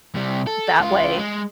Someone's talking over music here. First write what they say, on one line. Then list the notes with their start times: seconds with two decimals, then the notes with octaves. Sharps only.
that way.
0.16 C3 G3
0.47 A4
0.80 C#2 F4
1.18 G#3